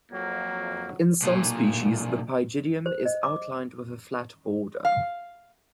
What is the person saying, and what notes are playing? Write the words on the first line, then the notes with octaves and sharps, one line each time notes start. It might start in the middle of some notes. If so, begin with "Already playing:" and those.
In some species the pygidium is outlined with a flat border.
F2 F#3 A#3
B1 A#2
C5
D#5
D6
F5